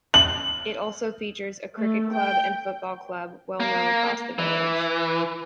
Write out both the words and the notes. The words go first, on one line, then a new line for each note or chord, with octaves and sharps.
It also features a cricket club and football club well known across the village.
F#7
A3
G5
A#3
E3